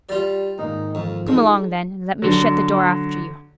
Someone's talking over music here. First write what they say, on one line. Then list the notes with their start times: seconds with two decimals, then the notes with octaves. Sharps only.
"Come along, then, and let me shut the door after you."
0.09 G3 F4 D5
0.59 G#2 D#3 A#3 D#4
0.95 F2 F3
1.28 G#3 D#4 F4 A4
2.22 D3 F#3